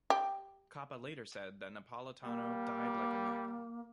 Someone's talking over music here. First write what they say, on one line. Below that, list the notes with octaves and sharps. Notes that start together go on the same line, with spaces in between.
Coppa later said that Napolitano "died like a man".
G4
G3 A#3